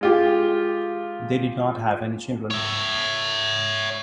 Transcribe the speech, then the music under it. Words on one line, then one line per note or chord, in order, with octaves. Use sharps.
They did not have any children.
G#3 F4 G4
C#5 E5